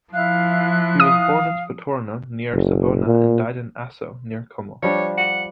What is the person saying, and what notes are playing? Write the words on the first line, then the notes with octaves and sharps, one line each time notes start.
He was born in Spotorno, near Savona and died in Asso, near Como.
F3 E4 F5 F#6
F5 D#6
F#1
A#2
F3 G3 D4 C#5
F#5